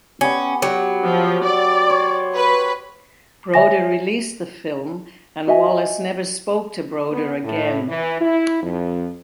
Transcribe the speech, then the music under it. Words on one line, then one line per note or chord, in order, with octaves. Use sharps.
Broder released the film and Wallis never spoke to Broder again.
B3 C#4 G4
F#3 F#4 G4
F3
D5
C5 C#5
B4
C#5 E5 G#5 A#6
F#4 D#5 E5 G#5
B3
A2
E3
E4
F2